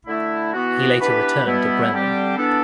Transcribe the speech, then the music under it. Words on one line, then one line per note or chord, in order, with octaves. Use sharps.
He later returned to Bremen.
D3 A3 E4
E3 B3 F#4
E3 B3 D4 G4 B4
B2 G3 B3 E4
D3 G3 C4 G4
E3 B3 D4 A4